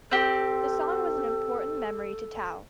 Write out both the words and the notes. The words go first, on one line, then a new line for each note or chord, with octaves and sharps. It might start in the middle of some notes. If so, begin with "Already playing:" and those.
This song was an important memory to Tao.
C4 G4 A4